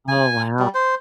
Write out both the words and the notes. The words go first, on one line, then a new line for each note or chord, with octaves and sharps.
Oh wow.
G#5
G3
C5